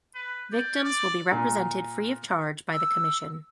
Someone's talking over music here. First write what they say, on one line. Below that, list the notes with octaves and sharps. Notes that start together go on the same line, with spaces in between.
Victims will be represented free of charge by the commission.
B4
D5 G6
D5 D6
A#2
E6